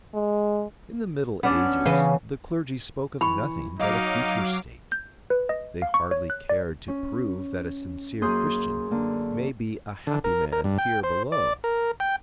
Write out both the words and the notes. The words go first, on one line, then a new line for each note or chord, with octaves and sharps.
In the Middle Ages the clergy spoke of nothing but a future state; they hardly cared to prove that a sincere Christian may be a happy man here below.
G#3
B3 C#4 D4 D5
C#3 E3 B4
E3 B5 C#6
F#3 D#4 D#5 F5 D6
G6
B4
D#5
F5
C#6
C#5
F#6
D5
C#4
F#2 A#3 G#4 C6 D#6 G6
D3 A#3
D3
A#4
A#4
G2
G5
C5
D5
A#4
G5